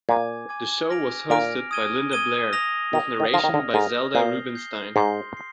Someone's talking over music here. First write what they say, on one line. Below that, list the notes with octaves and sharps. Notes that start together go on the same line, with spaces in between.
The show was hosted by Linda Blair, with narration by Zelda Rubinstein.
A#2 G#5 D6 G#6
G#5 D6 G#6
F6 A#6 D7 F7
A#2 F6 A#6 D7 F7
D#6 G#6 D#7 G7
D#6 G#6 D#7 G7
D#6 A#6 F7
D#3 D#6 A#6 F7
D#3
F3 F6 A#6 F7
D#3
D3
G#2 F6 A#6 F7
A#2 G6 C7 G7
G6 C7 G7
G#2 C6 G6 C7
C7